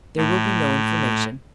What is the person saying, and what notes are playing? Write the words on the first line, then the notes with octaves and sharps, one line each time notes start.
There will be no inflammation.
A2